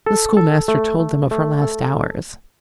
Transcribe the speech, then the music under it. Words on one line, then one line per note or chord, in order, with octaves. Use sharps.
The schoolmaster told them of her last hours.
A4
A4
A3
A3
A3
A4